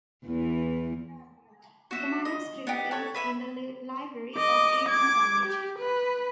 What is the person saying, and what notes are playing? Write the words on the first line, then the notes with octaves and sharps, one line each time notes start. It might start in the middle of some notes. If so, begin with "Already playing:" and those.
The manuscript is in the library of Eton College.
E2 E3
F#4 E5
D#5
B3 D#4 G4
A4 C#5
B4 E5 B5
D#5 D6
D6 G#6
G4
B4